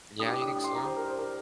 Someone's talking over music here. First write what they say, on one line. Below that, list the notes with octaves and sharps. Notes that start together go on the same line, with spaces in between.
Yeah, you think so?
A2 G3 D4 G4 D#6
D6
D#6
C6
A#5
C5
A#4
C5
A#4